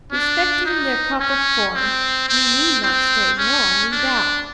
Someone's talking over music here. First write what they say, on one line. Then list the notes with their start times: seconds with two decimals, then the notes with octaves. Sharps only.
Respecting their proper form we need not stay long in doubt.
0.12 D4
0.65 D#4
1.20 C#4
1.75 C4
2.28 C4
2.83 C4
3.38 C#4
3.92 D4